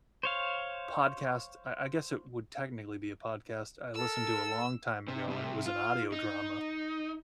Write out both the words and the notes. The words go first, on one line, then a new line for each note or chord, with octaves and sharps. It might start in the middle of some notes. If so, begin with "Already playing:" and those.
podcast, I I guess it would technically be a podcast, I listened to a long time ago and it was an audio drama,
C5 C#5 F5
A4 A#4 E6
C3
C2 C3
F4
D#4